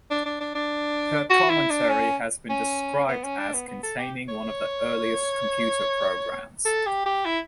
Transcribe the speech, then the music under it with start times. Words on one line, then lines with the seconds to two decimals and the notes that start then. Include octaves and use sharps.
Her commentary has been described as containing "one of the earliest computer programmes".
0.11 D4
0.26 D4
0.41 D4
0.55 D4
1.30 F#4
1.50 E4
1.70 D4
1.89 C#4
2.50 C#4
3.08 B3
3.24 C#4
3.38 D4
3.54 B3
3.68 B3
3.83 A4
3.99 G4
4.29 C#5
6.66 A4
6.87 G4
7.06 G4
7.26 E4